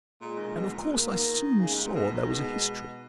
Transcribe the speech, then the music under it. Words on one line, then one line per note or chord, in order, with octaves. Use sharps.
And of course I soon saw there was a history.
A#2 G#3
D#3
A#2
B2
A#2
G#2 A#3
A#2
B2
D#3
C#3 G#3
G#2
A#2
B2
D#3
B2 G#3